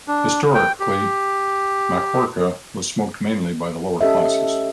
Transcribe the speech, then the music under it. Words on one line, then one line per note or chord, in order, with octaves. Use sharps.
Historically, makhorka was smoked mainly by the lower classes.
D4
G5
G4
C#4 G4 A4 D#5 E5